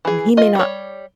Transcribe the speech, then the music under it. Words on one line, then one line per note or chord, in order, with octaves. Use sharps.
he may not
E3 G#4
F4 D#5
G3 C#5